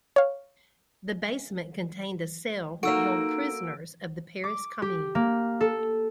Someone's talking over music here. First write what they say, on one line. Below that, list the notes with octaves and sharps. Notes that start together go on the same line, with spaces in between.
The basement contained a cell that held prisoners of the Paris Commune.
C#5 F5
A#3 D#4 F#4 A4 E6 D7
D6
G4
A#3
A4